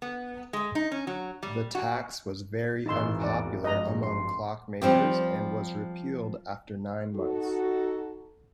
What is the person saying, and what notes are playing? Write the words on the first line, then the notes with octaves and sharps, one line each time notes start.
The tax was very unpopular among clockmakers and was repealed after nine months.
B3
G#3
D#4
C#4
F#3
G3
F#4
G#1 E3 D#4 C6 E6 A6
E2 D#4 F#4 D5
G2 F3 G#3 D#5 A#5
C6
F3 G3 C4 G4
D#4 F#4 A4